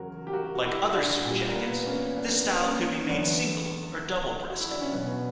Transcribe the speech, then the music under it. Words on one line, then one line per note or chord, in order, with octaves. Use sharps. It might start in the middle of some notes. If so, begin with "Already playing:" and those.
Like other suit jackets, this style could be made single or double-breasted.
Already playing: E2 C#3 F#3 F#4 A#4
G4
F#4 A#4
F#4
E4 G4
D4 F#4
A#2 G3
A#3
B3
B3
A#3 C#4
B3 D4
A#3 C#4
C#4
E2 D3 F#3 B3 D4
F#4
E4
D4
C#4
B2 F#3 B3